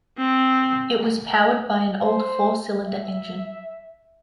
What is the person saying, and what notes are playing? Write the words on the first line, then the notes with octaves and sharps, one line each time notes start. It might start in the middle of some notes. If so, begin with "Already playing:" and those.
It was powered by an old four cylinder engine.
C4
C5
E5